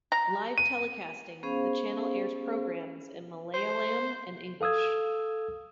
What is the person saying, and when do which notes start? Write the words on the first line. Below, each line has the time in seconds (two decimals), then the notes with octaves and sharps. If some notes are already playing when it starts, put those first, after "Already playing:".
Live telecasting The channel airs programs in Malayalam and English.
0.12 A#5
0.58 D#7
1.43 B3 C#4 G#4 C5 F5
3.54 C5
4.61 A4 F5 D#6 E6 G#6